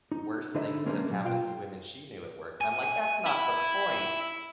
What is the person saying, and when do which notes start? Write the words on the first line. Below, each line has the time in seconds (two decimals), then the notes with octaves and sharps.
worse things that have happened to women she knew at work, and I'm like, "That's not the point."
0.12 D#4
0.55 D3 D#4 C5 D#5 E5 B5
0.85 D3 F#3 G#3 A#3 C#4 D4
1.10 B2 F#3
1.24 F4 F5 G5
2.61 G#5
3.26 E4